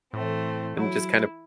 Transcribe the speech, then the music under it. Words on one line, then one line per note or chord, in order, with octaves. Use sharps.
And just kind of
A2 E3 A3 C4
F#3 E4